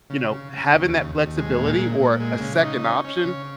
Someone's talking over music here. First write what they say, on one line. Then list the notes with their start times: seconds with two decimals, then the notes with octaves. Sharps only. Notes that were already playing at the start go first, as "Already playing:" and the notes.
you know, having that flexibility, or a second option,
0.10 C#3
0.31 C#3
0.53 C#3
0.74 D#2
0.94 D#2
1.15 D#2
1.37 G#3
1.58 A#2
1.78 A#2
2.00 A#2
2.20 G#3
2.41 C#3
2.63 D#4
2.84 C#4
3.05 C#4
3.25 C#3